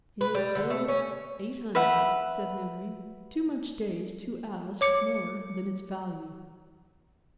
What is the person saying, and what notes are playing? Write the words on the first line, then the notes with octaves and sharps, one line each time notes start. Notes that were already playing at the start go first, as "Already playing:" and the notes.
"It's worth eight hundred," said Henry, too much dazed to ask more than its value.
B4
G3
D3
A3
C#4
B4 E5 F#5
C#5 D6 C#7